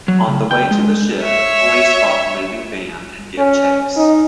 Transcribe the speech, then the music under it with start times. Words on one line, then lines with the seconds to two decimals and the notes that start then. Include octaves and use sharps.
On the way to the ship, police spot the moving van and give chase.
0.08 F#3
0.28 C#3
0.51 G5
0.71 G#3
1.22 C#5 E5
3.38 C#4
3.96 D#4